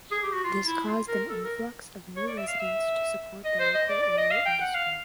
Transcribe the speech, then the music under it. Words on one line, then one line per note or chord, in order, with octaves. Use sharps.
This caused an influx of new residents to support the local oil industry.
G#4
G4
F#4
F4
E4
F4
A#4
A4
A#4
C#5
D5
E5
F5
E5
D#5
C5
D#5
D5
D5
D#5
F5
G5
F#5
F5